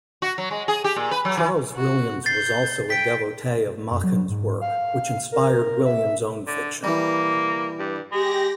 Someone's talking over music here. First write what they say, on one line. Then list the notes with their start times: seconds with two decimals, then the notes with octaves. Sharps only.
Charles Williams was also a devotee of Machen's work, which inspired Williams' own fiction.
0.22 F#4
0.38 F#3
0.51 G#3
0.68 G#4
0.84 G4
0.96 A#2
1.11 B4
1.25 F#3
1.37 E3
1.76 F#4
2.26 G6 A6 C7
2.90 G5 B6 D7
3.91 F#2
4.04 F#3
4.30 G#2
4.61 F5
5.32 A#4
5.86 E5
6.47 D3
6.84 E3 G3 A#3
7.79 G2
8.12 G#3 G4 A#6